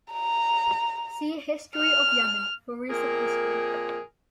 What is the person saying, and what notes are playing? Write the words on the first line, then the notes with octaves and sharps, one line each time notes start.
See History of Yemen for recent history.
A#5
F6
F2 A#2 G#4 A#4